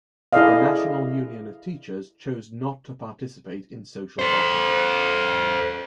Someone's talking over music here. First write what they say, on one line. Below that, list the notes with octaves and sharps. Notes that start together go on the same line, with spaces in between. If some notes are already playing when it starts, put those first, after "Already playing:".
The National Union of Teachers chose not to participate in social partnership.
E4 G#4 A4 D5 D#5 F5
A4 C5